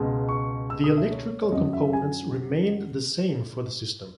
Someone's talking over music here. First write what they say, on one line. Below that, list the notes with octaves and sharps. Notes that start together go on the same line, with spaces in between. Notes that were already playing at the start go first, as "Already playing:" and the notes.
The electrical components remained the same for the system.
Already playing: C#2 B2 G#3
C#6
E6
D#6
E5
C#5
C#5
F#2 C#3 F#3 D#5
E5
G#5